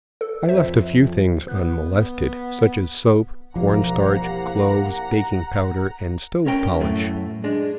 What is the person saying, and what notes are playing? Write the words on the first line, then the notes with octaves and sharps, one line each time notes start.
I left a few things unmolested; such as soap, cornstarch, cloves, baking-powder and stove-polish.
A4
F2 C5 E5
B3 F#6
E1 C2 F3 A#3 F#5 A#5
C#4 A#4 G5
F#2 A2 A3
G#3 D4